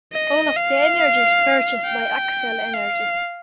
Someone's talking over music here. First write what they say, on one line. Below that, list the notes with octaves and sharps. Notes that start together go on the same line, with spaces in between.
All of the energy is purchased by Xcel Energy.
D#5
F5
G5
F5